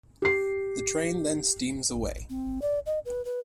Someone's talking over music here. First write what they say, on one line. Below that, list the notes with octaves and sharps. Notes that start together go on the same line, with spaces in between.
The train then steams away.
G4 C7
C4
D5
D#5
B4
B4